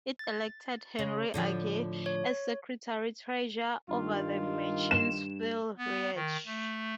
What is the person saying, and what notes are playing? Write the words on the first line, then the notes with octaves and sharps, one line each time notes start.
It elected Henry Agee as secretary-treasurer over the Machine's Phil Reich.
A6
C#3
A2 D3 F3
C#5
G2 D#3 F4
E7
B3
D#3
A3